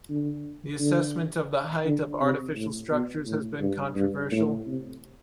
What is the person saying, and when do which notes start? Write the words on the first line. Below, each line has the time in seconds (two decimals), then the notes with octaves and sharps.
The assessment of the height of artificial structures has been controversial.
0.09 D3
0.80 D3
1.85 D3
2.21 C3
2.56 A2
2.90 B2
3.26 A2
3.60 G2
3.95 G2
4.31 A2
4.66 C3